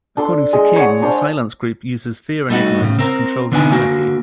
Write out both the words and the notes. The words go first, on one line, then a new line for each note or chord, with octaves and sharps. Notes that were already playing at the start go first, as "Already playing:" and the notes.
According to King, the Silence Group uses fear and ignorance to control humanity.
D4 A4 C6
G#3
C#5 F#5
D4 C5 D5
G3 A3 D#4 F4 F#4
A2 C#3
C4 A#4
D3 B3 D4 D#4 G#5
D3 A#3 F#4 G#5